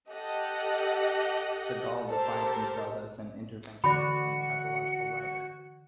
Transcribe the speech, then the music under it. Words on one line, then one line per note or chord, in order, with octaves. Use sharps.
Segal defines himself as an "interventionist" and "pathological writer".
G4 A4 D#5 F#5
G4 A4 A#4 C5
D3 E3 F#4 D5 B5 C#7